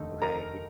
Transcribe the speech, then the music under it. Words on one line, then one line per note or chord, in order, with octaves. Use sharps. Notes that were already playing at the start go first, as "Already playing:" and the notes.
okay? Y
Already playing: F1 D#2 D3 A3 D#4
A#4 A#5